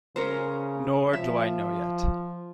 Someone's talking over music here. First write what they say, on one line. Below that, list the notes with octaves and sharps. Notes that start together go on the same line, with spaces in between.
Nor do I know yet.
C#3 C#4 A#4 C5
F3 E5